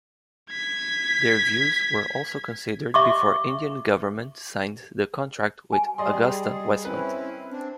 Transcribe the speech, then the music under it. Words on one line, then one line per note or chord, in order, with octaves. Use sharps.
Their views were also considered before Indian Government signed the contract with Agusta Westland.
G#6 B6
E5 C#6 D6
G#5
G3 G#4 D5 D#5 C6
C4 C#4 E4 B4
C4 D4